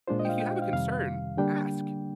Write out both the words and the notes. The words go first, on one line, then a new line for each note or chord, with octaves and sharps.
"If you have a concern, ask.
A#2 G#3 D4 F4 C5
D#5
G5
F5
G5
F5
F2 C3 D#3 G3 F5
D3 G3 A#3 D4 G5